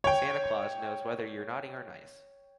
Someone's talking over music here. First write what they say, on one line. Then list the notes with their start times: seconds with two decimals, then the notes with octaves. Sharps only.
Santa Claus knows whether you're naughty or nice.
0.04 C#5 G5